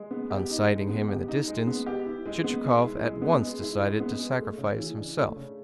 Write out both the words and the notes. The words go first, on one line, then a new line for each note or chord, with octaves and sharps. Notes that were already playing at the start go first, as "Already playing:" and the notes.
On sighting him in the distance, Chichikov at once decided to sacrifice himself.
Already playing: G#3
B3
G4
D#4
G#3
B3
G4
D#4
G#3
B3
G4
E4
G#3
B3
G#3
E4
G#3
B3
G#3
E4
G#3
B3
G#3
A3
C#3
E3
D4
A3
C#3